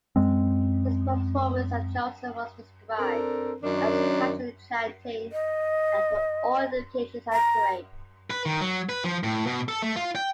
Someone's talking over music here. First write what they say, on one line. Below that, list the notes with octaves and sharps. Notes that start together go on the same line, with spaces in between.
His performance as Jolson was described as "touching, enchanting, and to all indications, accurate".
F#2 G#3 C4
C4 D4 A4 A#4
F#2 D#3 C#4 D4
D#5
A#5
B4
D#3
F#3
B4
F3
A2
B2
A4
A3
F4
G5